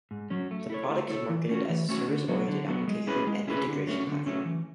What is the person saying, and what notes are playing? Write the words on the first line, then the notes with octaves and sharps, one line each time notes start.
The product is marketed as a service-oriented application and integration platform.
G#2
F#3 C#4
A3
E4 A4 C#5
A3
E4 A4 C#5
E3
A3 C#4 F#4
E3
A3 C#4 F#4
D3
F#3 B3
D3
F#3 B3
G#3
C#4 E4 G#4 B4
G#3
C#4 E4 G#4 B4
D3
F#3 A3 C#4
D3
F#3 A3 C#4
E3